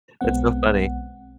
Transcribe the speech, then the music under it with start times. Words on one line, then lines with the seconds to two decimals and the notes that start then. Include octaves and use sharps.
That's so funny.
0.21 B1 G#3 B3 C4 F#5